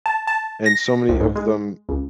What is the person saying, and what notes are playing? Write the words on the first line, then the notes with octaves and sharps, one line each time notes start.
and so many of them
A5
A5
A#6
C2
G#2
G#3
C#2